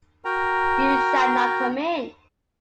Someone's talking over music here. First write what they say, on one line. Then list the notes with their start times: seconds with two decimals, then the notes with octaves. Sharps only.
You shall not come in.
0.25 F#4 A#4 G5 A#5